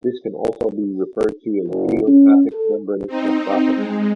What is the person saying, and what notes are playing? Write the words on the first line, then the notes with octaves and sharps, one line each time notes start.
This can also be referred to as "idiopathic membranous nephropathy".
F#1
C#4
A4
C4 D#4
G#3